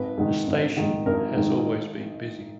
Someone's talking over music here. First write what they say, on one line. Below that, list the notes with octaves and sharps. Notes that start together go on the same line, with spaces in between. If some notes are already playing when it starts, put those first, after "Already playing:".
The station has always been busy.
Already playing: G#1 B4
G#2 D#3
G#1
G#2 D#3
G#1 A#4
G#2 D#3